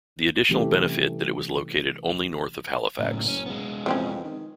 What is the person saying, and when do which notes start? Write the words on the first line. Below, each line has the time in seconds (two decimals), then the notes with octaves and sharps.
The additional benefit that it was located only north of Halifax.
0.49 C3 E3 G3 A3 C#4 G4
2.98 F#1 A2 C#3
3.28 C#4
3.46 G#3 B3
3.86 F2 E3 C4 C#4
4.24 D#3